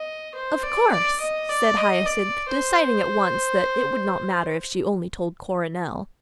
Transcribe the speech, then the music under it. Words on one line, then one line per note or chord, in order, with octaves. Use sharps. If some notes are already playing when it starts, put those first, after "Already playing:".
"Of course," said Hyacinth, deciding at once that it would not matter if she only told Coronel.
Already playing: D#5
C5
D5
D5
D#5
D5
D#5
D5
C5